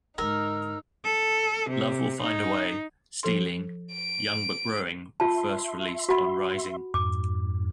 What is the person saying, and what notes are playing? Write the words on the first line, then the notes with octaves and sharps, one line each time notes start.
"Love Will Find a Way", "Stealing", "Young But Growing" were first released on "Rising".
G#2 D3 D#4 A#4 E6
A4
C3
D#4
F3 A4 C6
D7
F4 E5 A5 C6
F#4 F#5 B5
F2 G#2 D6